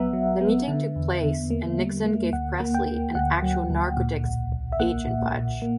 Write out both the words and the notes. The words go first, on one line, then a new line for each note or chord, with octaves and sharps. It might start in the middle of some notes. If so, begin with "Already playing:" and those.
The meeting took place and Nixon gave Presley an actual narcotics agent badge.
Already playing: A#1 F#3 B3 E5 F#5 A#5
F#3
B3
D3
E2
D3
A#3
G3
A#3
D2 F#5
A#3
G5
A#3
D2 F#5
F#3
D2
A#2
B1
B1
E5
A#3 F#5
A#2
A#2
A#3